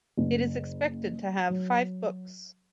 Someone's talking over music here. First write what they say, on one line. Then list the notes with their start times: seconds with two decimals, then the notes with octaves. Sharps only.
It is expected to have five books.
0.17 F#1
1.50 F#3